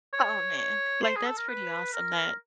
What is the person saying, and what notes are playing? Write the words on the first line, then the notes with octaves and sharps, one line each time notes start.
Oh, man, like, that's pretty awesome that
C#5
C#5
C5
G#4
A4
A#4
B4
A#4